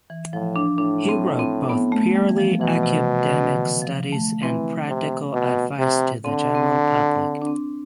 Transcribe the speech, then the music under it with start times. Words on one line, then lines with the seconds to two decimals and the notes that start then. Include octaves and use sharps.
He wrote both purely academic studies and practical advice to the general public.
0.10 E3
0.33 A2 F3
0.56 D4
0.78 A2 D4
1.09 C4
1.39 C4
1.69 B3
1.92 A3
2.15 G3
2.29 E3
2.38 F3
2.61 B2 E3
2.83 C3
3.29 D3
3.52 E3
3.82 F3
4.12 A3
4.43 E3 C4
4.88 C3
5.33 B2
5.79 C3
6.25 D3 C4
6.55 C4
7.16 C4
7.42 D4
7.47 C4